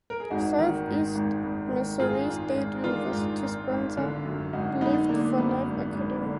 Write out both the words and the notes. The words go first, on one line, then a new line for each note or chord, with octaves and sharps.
Southeast Missouri State University sponsor Lift For Life Academy.
A#4
G#4
G#1 D#4 F#4
D#3
G#2
G#1
G#1
D#3
G#2 F4 G#4
G#1
G#1
D#3 D4 F4
G#2
G#1
G#1
D3
F#2
G#1 D#4 F#4
G#1 B3 D#4
D3 A#3 D4
F#2 B3
G#1
G#1
D3